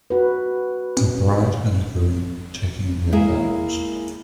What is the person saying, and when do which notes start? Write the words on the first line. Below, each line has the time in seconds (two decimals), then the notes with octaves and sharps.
A bride and groom taking their vows.
0.10 F#4 B4
3.12 G#3 A#3 E4 G#4 E5